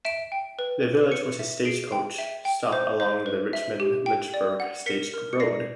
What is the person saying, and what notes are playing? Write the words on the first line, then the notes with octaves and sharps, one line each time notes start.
The village was a stagecoach stop along the Richmond-Lynchburg stage road.
E5 D7 E7
G5
B4
B4
B4 C#7 D#7
E5
G#4 C7 D7
G5
E5
G5
C5
C5
B4
E5
G4
G5
D5
F#5
A#4 B6 C#7
A#4
C#7
D5 A#6 C7